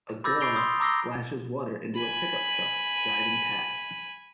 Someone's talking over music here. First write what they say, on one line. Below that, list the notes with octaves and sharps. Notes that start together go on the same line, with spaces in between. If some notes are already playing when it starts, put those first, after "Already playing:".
A girl splashes water into a pickup truck driving past.
B5 D6 E6 G6 A6 A#6
C#6 G6 C7 D7 F7 G7
C6 D#6
A#5 D6 E6 A#6 C7 G7
G#5 B5